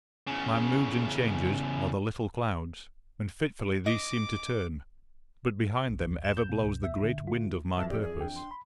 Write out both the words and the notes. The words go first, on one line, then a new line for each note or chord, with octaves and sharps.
My moods and changes are the little clouds, and fitfully these seem to turn; but behind them ever blows the great wind of my purpose.
E2 C#3
D#5 D6
A1
D#2
E7
G6
B2
C#2
E5
D3
F4
F2 E3 F#3 E5 A5
G4 D5
G#4
D4 G5
C6
B5